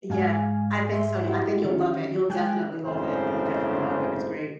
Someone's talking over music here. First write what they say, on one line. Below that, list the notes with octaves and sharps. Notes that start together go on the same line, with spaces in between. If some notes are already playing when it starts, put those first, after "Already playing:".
yeah, I think so, I think you'll love it, you'll definitely love it, you'll definitely love it, it's great.
G#2 G#3 F5 G#5
E5 C6
E4 F#4 G4
D#3 C#4
G#3 G5 G#5 F#6
G#1 F#2 A2 C#3 C5